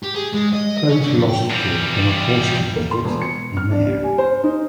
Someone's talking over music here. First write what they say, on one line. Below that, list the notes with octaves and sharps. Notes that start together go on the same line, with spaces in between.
Both lost to a "dark horse candidate": a mare.
G4
G#4
G#3
D#5
D#5
C#4
D3
F2
G5
E2 G3
A#3
C6
E1
C#7
F6
D4
G3
G#5
C5
D#4